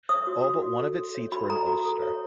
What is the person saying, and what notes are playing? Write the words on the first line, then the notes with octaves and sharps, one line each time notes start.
All but one of its seats were in Ulster.
C#5 D#6
F#4
F#4
F#4
A4
A4
C#5
F#4 B5
A4 A#5
F#4
A4
C#5